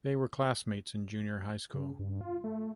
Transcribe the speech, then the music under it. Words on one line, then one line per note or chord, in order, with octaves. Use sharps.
They were classmates in junior high school.
C#3
G2
F4
A3